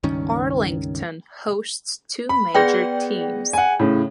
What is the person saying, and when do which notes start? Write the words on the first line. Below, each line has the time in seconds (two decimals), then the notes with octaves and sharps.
Arlington hosts two major teams.
0.03 C#2 G2 D#3 C#4
2.29 B5
2.55 B3 G#4 D5 G5 A#6
3.53 F#5 G#5
3.80 A2 C#3